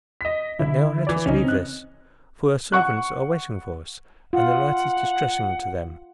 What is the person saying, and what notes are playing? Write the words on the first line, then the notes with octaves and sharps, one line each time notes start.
But now let us leave this, for our servants are waiting for us, and the light is distressing to them.
D#5 B6
D3 E4
E3 D5
C2 C#3 C#4 D#4
C4 F#6
F#5 C#6 F#6
F4 F#5